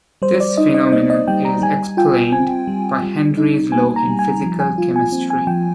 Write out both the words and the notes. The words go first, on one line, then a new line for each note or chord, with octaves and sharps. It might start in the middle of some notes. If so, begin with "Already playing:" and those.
This phenomenon is explained by Henry's Law in physical chemistry.
G3 C5
D5
D#4 D#5
D#5
A#3 D#5
D#5
G3 G5
A#5
G3 G#5
F4 G5
C4 G#5
G3
G3
D#4
A#3 G#5
A#5
G3
G#5
F3
G#5
F4
G#5
C4
G#5
F3 G5